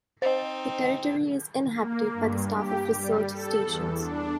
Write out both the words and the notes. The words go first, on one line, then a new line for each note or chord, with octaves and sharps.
The territory is inhabited by the staff of research stations.
C4 D#4 C5 D#5
A#3
G2
G4
G3
A4
E2
D4